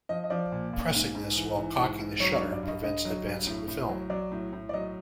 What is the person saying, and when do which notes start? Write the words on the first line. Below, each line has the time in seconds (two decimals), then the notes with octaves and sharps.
Pressing this while cocking the shutter prevents advancing the film.
0.09 F3 D#5
0.24 D#5
0.30 F3 D5
0.52 A#2
0.73 A#2
0.94 G#2
1.15 G#2
1.36 E3
1.57 E3
1.78 G#2
1.99 G#2
2.20 F#3 C#5
2.32 C#5
2.36 D5
2.42 G2
2.52 D5
2.63 G2
2.68 D#5
2.84 D3 D#5
3.05 F#3
3.26 G2
3.47 A2
3.68 A2
3.89 F#3
4.10 F#3 D5
4.32 A2
4.53 A2
4.69 D5
4.73 F#3 D#5